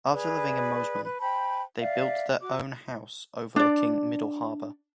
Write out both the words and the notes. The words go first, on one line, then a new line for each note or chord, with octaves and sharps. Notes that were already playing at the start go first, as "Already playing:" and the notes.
After living in Mosman, they built their own house overlooking Middle Harbour.
G#4 B4 D5
B4
C5 G5 A5 B5
D5 E5 F5
F#4 D6
D4 D5